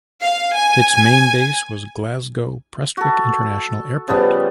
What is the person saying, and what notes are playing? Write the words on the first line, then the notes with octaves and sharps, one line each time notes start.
Its main base was Glasgow Prestwick International Airport.
F5
G#5
F#4 A4
C#3 F3 G3 B3